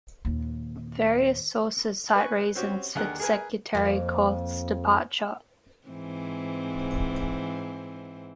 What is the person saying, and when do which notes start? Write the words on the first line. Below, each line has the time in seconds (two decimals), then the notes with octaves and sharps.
Various sources cite reasons for Secretary Korth's departure.
0.25 D#2 A#2
2.15 B4 G#5 C#6
2.55 C4 C#4 F#4 G4
2.95 D#2 D3 G#4 A#4 F#5 F#6
3.20 G#4 A#4 B4 G#5
3.75 F2 A#3
5.87 G#2 E3 C4